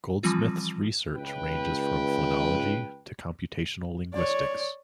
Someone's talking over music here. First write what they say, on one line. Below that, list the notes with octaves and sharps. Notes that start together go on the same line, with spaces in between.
Goldsmith's research ranges from phonology to computational linguistics.
E3 F3 G3 C4 F4
C#2 B4 G5
C#5 D5